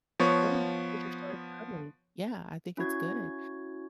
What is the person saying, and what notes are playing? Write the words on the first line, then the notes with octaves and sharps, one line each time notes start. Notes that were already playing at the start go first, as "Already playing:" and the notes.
Yeah, because you're starting early. Yeah, I think it's good.
F3 B3 C#5 C#6
C#4 E4 F#4 G#6